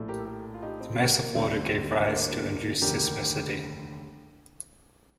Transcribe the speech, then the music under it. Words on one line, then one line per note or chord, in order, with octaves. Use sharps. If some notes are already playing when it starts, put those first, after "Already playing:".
The mass of water gave rise to induced seismicity.
Already playing: A#1 A2 A3
G4 A#4
A4
G4 A#4
F4
D#4 G4
C4 D#4
A#3
A#3
D2 D3 G3 A3 C4
A#3 D4
F1 D#2 D3 G4 A#4